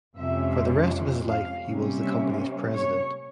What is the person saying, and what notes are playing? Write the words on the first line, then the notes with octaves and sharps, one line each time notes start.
For the rest of his life he was the company's president.
F2 C3 F3 G#3 C#4 E5
F5
C3 G3 A#3 C#4
E5
C#5